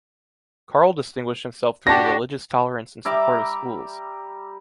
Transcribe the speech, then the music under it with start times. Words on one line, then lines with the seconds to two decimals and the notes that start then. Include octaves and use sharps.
Karl distinguished himself through the religious tolerance and support of schools.
1.87 D4 F#4 G4 A5 A#6
3.05 G3 E5 A#5 D6